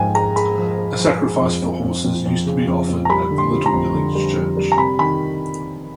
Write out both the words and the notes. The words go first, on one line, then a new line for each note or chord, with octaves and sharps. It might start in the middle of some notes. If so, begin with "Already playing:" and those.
A sacrifice for horses used to be offered at the little village church.
Already playing: G#2 F3 G5 G#5
G#3 A#5
G#3 B5
F3
G#3
F3
G#3
F2
F2
F2
F2
F2
C#3
F2
F2
A#5
G3 B5
D3
C6
G3
A#5
F2
D3
G3
F2
G3
A#5
C3 B5
D#3 B5